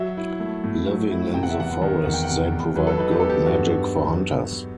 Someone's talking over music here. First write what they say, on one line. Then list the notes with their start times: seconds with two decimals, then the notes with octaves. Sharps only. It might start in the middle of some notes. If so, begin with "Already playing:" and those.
Living in the forest, they provide good magic for hunters.
Already playing: F#3 E5
0.17 E4
0.40 A3
0.64 A2
0.88 F#3
1.11 E4
1.34 C3 G5
1.43 F#5
1.51 E5
1.57 E2 F#5
1.82 D#3
2.05 E2 F#5
2.14 G5
2.23 F#5
2.29 C3
2.52 E2
2.76 F#3 B4
2.87 A4
2.98 D#4 B4
3.11 G4
3.20 B3 A4
3.30 G4
3.46 G2 F#4